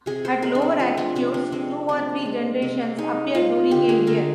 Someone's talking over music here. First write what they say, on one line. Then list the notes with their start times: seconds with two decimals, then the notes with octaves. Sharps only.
At lower altitudes, two or three generations appear during a year.
0.06 C3 G#4
0.25 C5
0.42 G#3 A#4
0.55 D4
0.62 C4
0.79 F3 C4
0.97 D4
1.15 C3 C4
1.34 D4
1.52 G#3 C4
1.89 C3 D4
2.25 G#3
2.62 C3
2.98 G#3 D#4
3.34 G#3 F4
3.71 D3 G4
3.89 G#4
4.07 D3 A#4